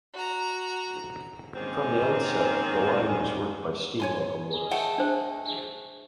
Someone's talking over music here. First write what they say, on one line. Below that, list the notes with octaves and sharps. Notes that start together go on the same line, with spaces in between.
From the outset, the line was worked by steam locomotives.
F#4 A#5
G#2 D#3 G#3 A#3 C4 C#4
C#5 G#5 C6
G#4 D#5 G#5
A3 F#5 G5
D4 C5